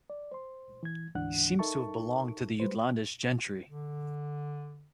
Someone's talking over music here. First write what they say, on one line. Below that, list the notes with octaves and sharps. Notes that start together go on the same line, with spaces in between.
He seems to have belonged to the Jutlandish gentry.
D5
C5 C6
E3 G#6
D2 G#2 E3 D4 F#5 F#6
D#4 A4 A#4 E5 A5 C#6
G3 G#3 B4 C5
D3